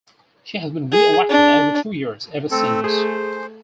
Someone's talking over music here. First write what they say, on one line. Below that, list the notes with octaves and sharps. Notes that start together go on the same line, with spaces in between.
She has been re-elected every two years ever since.
G#4
D4
A3 C4 A4
G#4 C5